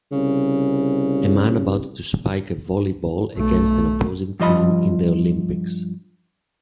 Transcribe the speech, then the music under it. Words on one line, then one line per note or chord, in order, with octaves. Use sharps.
A man about to spike a volleyball against an opposing team in the Olympics.
C2 C#3
B1 A3
G2 F3 D#5 B5